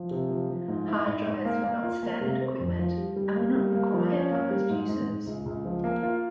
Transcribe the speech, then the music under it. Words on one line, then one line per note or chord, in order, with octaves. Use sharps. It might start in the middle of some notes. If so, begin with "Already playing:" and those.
Hard drives were not standard equipment, and were not required for most uses.
Already playing: F3
C3
F3
F3
G#2
E4
G#2
G#2
A#3
A#3
F4
A#3
C3
C4
F2
F3
G3
G3
A#3
G3
A#3
F3
C#4
A#3
G3
G#2
G#2
G#2
C#2
C#2
F3
A#3
F4